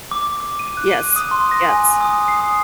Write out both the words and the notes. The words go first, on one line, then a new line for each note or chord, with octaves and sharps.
Yes, yes.
D6
D6
D#7
F#6
D#7
D#6
C6
A#6
G#5
D#6
C7
D#6